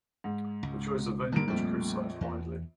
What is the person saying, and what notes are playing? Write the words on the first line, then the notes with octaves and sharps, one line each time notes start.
The choice of venue was criticised widely.
G#2
C#2
G2 D3 D#3 A#3 D7
A#1 F2 G3 A3
E2